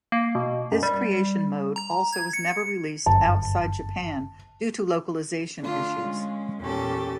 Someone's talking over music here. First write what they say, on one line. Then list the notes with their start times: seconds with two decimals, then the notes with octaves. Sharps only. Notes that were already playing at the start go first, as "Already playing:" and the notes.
This creation mode also was never released outside Japan due to localization issues.
0.12 A#3
0.35 B2
0.72 F#2
0.83 G3
1.76 A#5
2.13 G#6
2.33 C#7
3.06 G1 F#2 A5
5.61 D3 A3 D4 F4
6.02 G#3 C#4
6.61 E2 A#2 C#4 G4 A4 A6